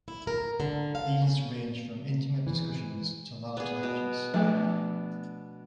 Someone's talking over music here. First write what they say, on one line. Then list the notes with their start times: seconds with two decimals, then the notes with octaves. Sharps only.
These range from intimate discussions to large lectures.
0.08 E4
0.27 A#4
0.60 D3
0.95 F5
1.22 C#3
2.47 G#2 E3
3.57 B3 G#4
3.83 B2
4.34 F3 A3 D4